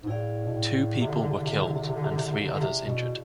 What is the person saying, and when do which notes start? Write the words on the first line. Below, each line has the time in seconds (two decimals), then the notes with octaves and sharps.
Two people were killed and three others injured.
0.03 G#2
0.07 A2 E4 G#4 D5 F5
0.45 B2
0.53 A2
1.00 C3
1.07 D3
1.15 C3
1.21 D3
1.29 C3
1.36 D3
1.44 C3
1.50 D3
1.58 C3
1.65 D3
1.73 C3
1.80 D3
1.87 C3
1.95 D3
2.02 C3
2.09 D3
2.16 C3
2.24 D3
2.31 C3
2.38 D3
2.45 C3
2.53 D3
2.60 C3
2.86 B2